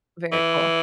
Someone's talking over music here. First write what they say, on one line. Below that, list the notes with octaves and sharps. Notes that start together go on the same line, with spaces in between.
Very cool.
E3